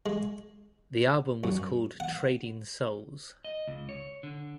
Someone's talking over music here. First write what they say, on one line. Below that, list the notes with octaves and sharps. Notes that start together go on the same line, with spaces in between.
The album was called "Trading Souls".
G#3
F#2
F#5
D#5
C#2
C#5
D3